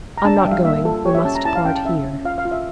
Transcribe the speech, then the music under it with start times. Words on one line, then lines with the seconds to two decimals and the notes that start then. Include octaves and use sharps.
"I'm not going; we must part here."
0.18 A#5
0.25 D4 A5
0.38 G5
0.45 G3 E5
0.51 F5
0.65 A#3 E5
0.85 F4 A4
1.05 G4 C#5
1.15 E5
1.25 C#4 A5
1.35 A#5
1.45 E4 A5
1.56 F5
1.65 C#4 G5
1.76 A5
1.85 C#4 E5
2.05 C#4
2.25 F4 F5
2.38 F5
2.45 F4
2.52 E5